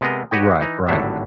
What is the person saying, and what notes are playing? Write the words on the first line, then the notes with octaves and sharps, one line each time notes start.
Right, right.
C3 G#3 B3 C4 A#4 D#5
F#4 G4 B4 C#5 D#5 G5
E3 D#4
G#1 A2 D3 F#3 G3 E5